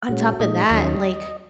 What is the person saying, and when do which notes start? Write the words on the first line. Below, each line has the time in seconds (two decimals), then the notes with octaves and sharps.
On top of that, like,
0.09 A#2 G#3 C#4 F#4
0.40 A#2 G#3 D#4 D#5
0.70 D#2 D#3 F#3 C#4